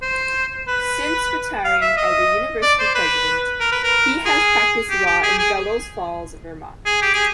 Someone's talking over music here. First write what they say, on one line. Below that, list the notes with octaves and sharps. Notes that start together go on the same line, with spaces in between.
Since retiring as University President, he has practiced law in Bellows Falls, Vermont.
C5
B4
F5
E5
D#5
D5
C5
B4
A#4
B4
A#4
G#4
G4
G4
G#4
G#4
G#4
G4
G#4